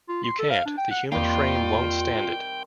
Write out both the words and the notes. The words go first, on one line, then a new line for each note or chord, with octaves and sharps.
You can’t; the human frame won’t stand it.
F4
C6
A4
F5
D4
G5
F#5
E2 D#3 G3 A#3 C4 F4 G5